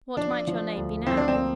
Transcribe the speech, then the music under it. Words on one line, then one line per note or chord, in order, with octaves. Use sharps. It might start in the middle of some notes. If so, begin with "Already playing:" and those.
"What might your name be, now?"
F3 D4
F3
D2
F3 C4
D4
C4
A#3